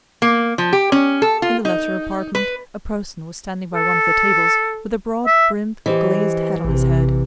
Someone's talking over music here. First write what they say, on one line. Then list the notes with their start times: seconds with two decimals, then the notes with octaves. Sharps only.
In the latter apartment a person was standing by one of the tables with a broad-brimmed glazed hat on his head.
0.22 A#3
0.58 F3
0.73 G4
0.92 C#4
1.22 A4
1.42 F4
1.65 D#4
2.35 B4
3.75 A4
5.26 E5
5.86 E3 G4 C5 D#5
6.65 A1 C3